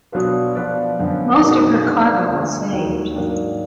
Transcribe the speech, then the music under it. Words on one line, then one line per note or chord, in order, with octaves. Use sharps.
Most of her cargo was saved.
B2 F#3 D4 F4 B4
F3 B3 F4 B4 D5
F#2 D3 F3 B3
B2 G#3 D#4 A#4
F3 B3 D4
D2 D3 G#3
D#2 D#3 F#3
G#2 F#3 A#3 D4